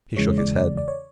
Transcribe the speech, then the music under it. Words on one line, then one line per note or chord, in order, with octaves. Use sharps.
He shook his head.
E2 C#3 E3 G#3 C#5
D5
D5
D5
C#5